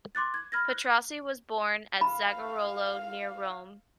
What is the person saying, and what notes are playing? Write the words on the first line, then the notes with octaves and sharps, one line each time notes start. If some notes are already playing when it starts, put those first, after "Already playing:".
Petrassi was born at Zagarolo, near Rome.
C6 D6 F#6 A6
G#6
B5 F6 G#6 A#6
F#6
F5 B5